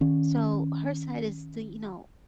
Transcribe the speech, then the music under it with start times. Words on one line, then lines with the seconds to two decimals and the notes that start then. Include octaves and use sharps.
So, her side is the, you know
0.01 D#3 C#4